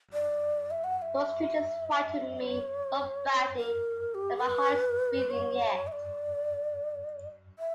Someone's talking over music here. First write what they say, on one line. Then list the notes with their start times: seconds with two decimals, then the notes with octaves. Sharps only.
Those creatures frightened me so badly that my heart is beating yet.
0.13 D5
0.71 E5
0.84 F#5
0.99 F#5
1.02 E5
2.43 C#5
3.57 A#4
4.15 G4
4.44 B4
5.30 C#5
5.87 E5
5.92 D5
7.59 E5